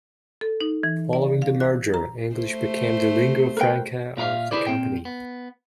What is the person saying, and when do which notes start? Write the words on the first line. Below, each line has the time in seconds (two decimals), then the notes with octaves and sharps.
Following the merger, English became the lingua franca of the company.
0.41 A4
0.61 D#4
0.83 E3
1.13 D5
1.42 F5
1.60 F#6
1.94 A#5
2.35 A3 C5
3.57 A#4 B4 G5
4.17 A#2 F4 A#4 E5 F5
4.51 E4 G#4 B4 C5 D5
4.67 A#2 C4 G5
5.05 B3